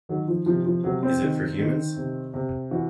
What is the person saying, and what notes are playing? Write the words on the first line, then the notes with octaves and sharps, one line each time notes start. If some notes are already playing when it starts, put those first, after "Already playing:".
Is it for humans?
D#3 F#3
F3
C3 F3
F3
C3 F#3
C4
D#3
D#3
C3
C3
E3 F#4